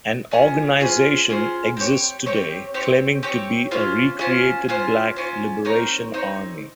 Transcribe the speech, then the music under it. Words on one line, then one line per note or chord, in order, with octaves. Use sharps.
An organization exists today claiming to be a recreated Black Liberation Army.
C#4 F4 G#4 C5
C#4 F4 G#4 C5
C#4 F4 G#4 C5
C4 G4 C#5
C4 G4 C#5
C4 G4 C#5
C4 G4 C#5
C#4 F4 C5
C#4 F4 C5
C#4 F4 C5
C#4 F4 C5
C4 D#4 A#4 C#5
C4 D#4 A#4 C#5